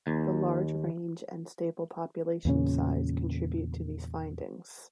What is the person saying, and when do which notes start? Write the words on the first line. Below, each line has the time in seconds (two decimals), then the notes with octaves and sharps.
The large range and stable population size contribute to these findings.
0.07 D#2
2.45 E2 A#2 C#3 C#4